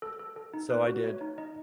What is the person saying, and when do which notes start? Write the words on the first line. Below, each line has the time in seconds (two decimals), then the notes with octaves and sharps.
So I did.
0.02 A4
0.19 A4
0.36 A4
0.53 D#4
0.70 B3 B4
0.87 F#4
1.04 A3 C#5
1.21 D#4
1.38 D#4 D#5